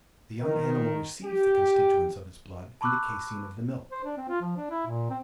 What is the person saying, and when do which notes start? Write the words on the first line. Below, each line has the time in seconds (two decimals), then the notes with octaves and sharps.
The young animal receives the constituents of its blood in the caseine of the milk.
0.41 D#3
1.25 G4
2.81 A5 B5 C#6 D6 E6 F#6
3.91 C5
4.04 D4
4.17 C4
4.28 F4
4.41 F3
4.57 D4
4.70 E4
4.87 A#2
5.10 C4